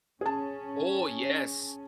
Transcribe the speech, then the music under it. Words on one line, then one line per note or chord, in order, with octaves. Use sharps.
Oh, yes.
C#4 G#4 A5